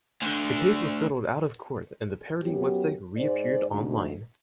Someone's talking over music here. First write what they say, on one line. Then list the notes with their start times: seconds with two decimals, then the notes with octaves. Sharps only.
The case was settled out-of-court and the parody web site re-appeared online.
0.22 D2 D3
2.43 F#2 F#3 B3 G4
3.17 G#2 C5 D5
3.69 D2 G#2